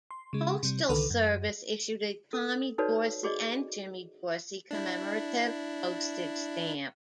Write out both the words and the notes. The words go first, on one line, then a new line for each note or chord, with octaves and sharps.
Postal Service issued a Tommy Dorsey and Jimmy Dorsey commemorative postage stamp.
C6
C#3 G#3
C3 G3
C2 D3 D#3 A4 B4
F#2
A4
D#4 F#4 A4 B4 C#5 D5
F#4 G#4 D5 D#5
D4 E4